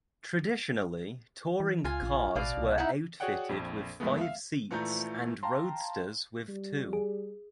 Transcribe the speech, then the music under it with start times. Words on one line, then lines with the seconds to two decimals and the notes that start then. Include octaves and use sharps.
Traditionally touring cars were outfitted with five seats and roadsters with two.
1.60 E3
1.84 C#2 F4 G#5
2.02 A#1
2.36 A1 B2 D5 F5
2.57 C2
2.78 D#4 E4 F#5
3.20 F#4 G#4 C#5 D5 F#5 G5
3.49 A#1 F2
4.00 D2 G2 F3 G#3 A3 B3
4.18 E5 F5
4.71 A#1 E3 F3 A3 A#5 G6
5.43 F5 G5 A5 A#5 C6
6.49 G3
6.93 G#4